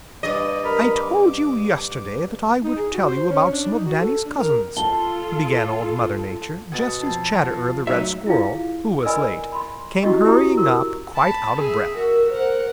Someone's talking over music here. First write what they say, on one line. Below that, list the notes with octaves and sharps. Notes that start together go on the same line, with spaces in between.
"I told you yesterday that I would tell you about some of Danny's cousins," began Old Mother Nature just as Chatterer the Red Squirrel, who was late, came hurrying up quite out of breath.
G2 D5 D#5
A#4 B5
D6
D#4
G#4
F#4
C5
C#4
D4
D#4
F#4
A4
D4
A#4
F4 A4 A5 G7
B2 F#5 D#6 G#6 A6
F2 A5 A6 C7
F3 F#5 A#6
F#3 A3 D#4 E5
E4 F4 G#4 F5
A#4 B4 D5 D#5 G#5 B5
B5 C6
C#4 E4 F#4 G4 D#5 C#6
E4 G4 A#5 D#6
A#4 C#6
A5 B5
G#4 E5
F#4 A#4 E5
A#4 C5 F#5